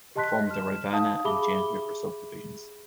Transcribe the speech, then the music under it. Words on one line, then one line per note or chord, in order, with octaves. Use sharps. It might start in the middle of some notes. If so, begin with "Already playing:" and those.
It forms the Rivanna and James River subdivisions.
G4 D#5 A5 C6 F#6 B6
F6 E7
D#4 F5 A5 D#6
G4 G#4 E5 B5 D6 G7